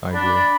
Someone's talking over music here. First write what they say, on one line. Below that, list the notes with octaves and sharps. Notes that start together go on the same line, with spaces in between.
I agree.
D4 B5